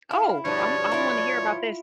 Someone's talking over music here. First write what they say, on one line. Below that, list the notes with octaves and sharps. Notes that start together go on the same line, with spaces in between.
Oh! I'm I wanna hear about this.
E4 F5
G2 B2 F3 C#5 D5
E4 F4